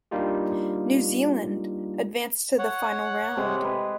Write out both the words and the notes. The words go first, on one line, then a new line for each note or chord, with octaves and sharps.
"New Zealand" advanced to the Final Round.
G3 A#3 D4 D#4 F4 G4
C#5 F#5
C3 G#3
G#4 B4